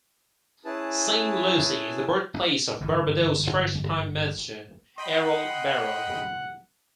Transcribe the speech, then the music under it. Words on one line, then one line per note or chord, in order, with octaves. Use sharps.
Saint Lucy is the birthplace of Barbados's first Prime Minister, Errol Barrow.
C#4 E4 G#4 B4 A5
G1 G#2 E3
D#5 F#5 G5 B5 C6